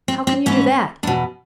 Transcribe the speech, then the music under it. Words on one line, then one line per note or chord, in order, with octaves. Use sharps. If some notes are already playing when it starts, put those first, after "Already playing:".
"How can you do that?"
C4
C4
G#2 E3 C#4
E2 B2 D4